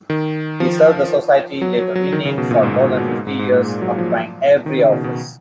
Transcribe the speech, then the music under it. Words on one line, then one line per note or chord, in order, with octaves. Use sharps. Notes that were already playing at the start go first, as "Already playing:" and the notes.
He served the society, later renamed, for more than fifty years, occupying every office.
D#3
F3
F#3
F#3
F#3
D#3
C#3
B2
A#2
G#2
B2
B2
G#2
G#2
G#2
A#2
G#3
F#3
F3
D#3
C#3
B2
B2